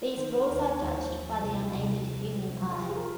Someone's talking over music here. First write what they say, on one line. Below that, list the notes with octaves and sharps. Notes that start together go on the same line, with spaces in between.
These rules are judged by the unaided human eye.
D#3 C5
A#4
D#2
C#5
D#2
C5
F3
C2
C2
F3
F3
F3
F4
G4
G#4
F3 A#4